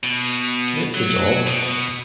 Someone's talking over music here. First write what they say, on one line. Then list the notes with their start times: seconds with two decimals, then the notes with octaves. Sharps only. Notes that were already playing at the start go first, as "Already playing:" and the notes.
It's a job.
0.03 B2
0.95 F#3
1.47 B2